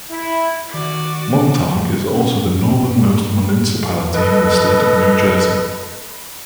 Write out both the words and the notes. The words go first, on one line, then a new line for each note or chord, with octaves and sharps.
Montague is also the northernmost municipality in the state of New Jersey.
E4
D#3 F#4 D5
C#4
G2
A4 B4 D#5